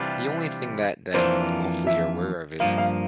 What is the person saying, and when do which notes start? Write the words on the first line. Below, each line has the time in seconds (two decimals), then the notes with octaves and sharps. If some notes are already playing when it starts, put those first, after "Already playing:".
the only thing that that, hopefully, you're aware of is
Already playing: C3 E3 G3 D4 F4
1.14 F2 E3 A#3 D4 F4 C5
1.87 E5
2.60 G2 F3 A#3 F5
2.78 F5